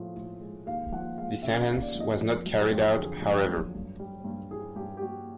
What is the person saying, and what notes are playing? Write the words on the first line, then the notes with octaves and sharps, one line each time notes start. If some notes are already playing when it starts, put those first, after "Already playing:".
The sentence was not carried out, however.
Already playing: A2 F3 G#3
A2
G#3
D#2 F5
F3 F#5
G#3 F5
C#3 E5
D#2
D5
F3
D#5
F2
F#3
G4
F2
D3 G#4
F2
F#3
G2
G3
G2
E3 G#4
G2 G4
G4
G3 F#4